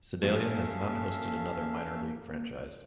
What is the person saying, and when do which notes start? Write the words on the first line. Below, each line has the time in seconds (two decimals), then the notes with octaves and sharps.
Sedalia has not hosted another minor league franchise.
0.22 G2 F3 A#3 C#4 A4 E5 F5